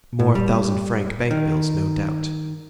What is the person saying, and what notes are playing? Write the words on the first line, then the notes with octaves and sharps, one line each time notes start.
More thousand-franc bank-bills, no doubt!
A2
G3
D#3